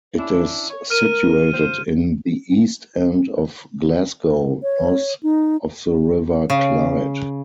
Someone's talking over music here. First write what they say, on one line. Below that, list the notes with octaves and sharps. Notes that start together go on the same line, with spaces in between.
It is situated in the east end of Glasgow, north of the River Clyde.
C#4 D4 E4
C#5
A#4 F6 D#7
G2 F3 C5
C#5
D#4
C#3